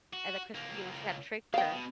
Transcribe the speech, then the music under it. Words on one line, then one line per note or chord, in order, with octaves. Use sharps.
and then 'cause, you know, she had tricked her.
F#4
C#2 A#3
D#3 B3 F5 G5
B2